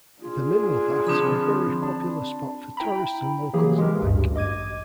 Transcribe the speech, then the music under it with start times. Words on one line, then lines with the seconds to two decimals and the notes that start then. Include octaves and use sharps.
The mineral baths are a very popular spot for tourists and locals alike.
0.22 D4 F4 G#4
1.07 D3 F3 C4 B5
1.82 D4
2.77 E4 G5 A#5 B5
3.53 E3 F#3 A#3 G4 G#4
3.77 E3 G#3 G4 A#4
4.02 A1 D2 G2
4.36 D#5 D6 G#6 D#7